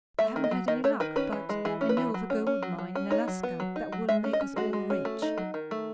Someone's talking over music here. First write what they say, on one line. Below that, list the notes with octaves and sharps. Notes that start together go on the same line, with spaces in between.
I haven't had any luck, but I know of a gold mine in Alaska that will make us all rich.
A3 E5
D#3
D#5
F#3
D#3 D#5
A3 C#5
D#3 B4
C#4 B4
E3
G#3
E3 G#4
C#4
B4
E3
F#3
C#4
C#4
F#3
F#3
C#4
D#4 C#5
F#3
B3
F#3
D#4
F#3
G#3 E5
C#4
D#5
C#4
G#3 F#4
G#3
C#4
A3
D#4
F#3
D#3
A3